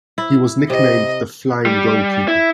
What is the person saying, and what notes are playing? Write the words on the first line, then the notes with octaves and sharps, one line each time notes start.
He was nicknamed the "Flying goalkeeper".
E4
C3 D#5
G3
E4